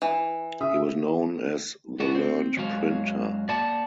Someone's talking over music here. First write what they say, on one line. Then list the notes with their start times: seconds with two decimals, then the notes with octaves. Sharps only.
He was known as the learned printer.
0.02 E3
0.60 C#3 E5 D#6
2.00 B3 D4 F#4
2.15 C4
2.57 F#2 F#3 G#3 F#4 F5
3.49 A#3 D5 F#5 A5